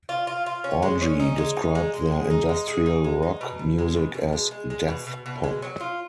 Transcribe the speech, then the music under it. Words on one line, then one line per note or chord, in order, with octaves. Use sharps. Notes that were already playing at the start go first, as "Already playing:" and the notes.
Orgy described their industrial rock music as "death pop".
F4
F4
F4
C#4
G#3
C#4
D#4
G#3
D#4
G#3
G#3
G#4
D#4
G#3
G#4
D#4
G#3
D#4
B2
B2
G#3
B2
B2
G#3
G#3
G#3
B2
B2
B2
G#3
F#3
F4